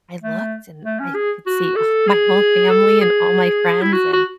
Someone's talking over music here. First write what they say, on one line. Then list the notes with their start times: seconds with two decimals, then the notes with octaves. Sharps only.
I looked, and I could see, ugh, my whole family and all my friends, and,
0.22 A3
0.85 A3
1.00 C#4
1.15 G#4
1.47 F#4
1.76 A4
2.07 G#4
2.70 A4
3.01 G#4
3.82 E4
3.93 F#4
4.13 F#4